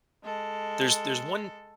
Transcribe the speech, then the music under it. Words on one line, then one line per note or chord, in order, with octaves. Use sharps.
there's there's one
G#3 A4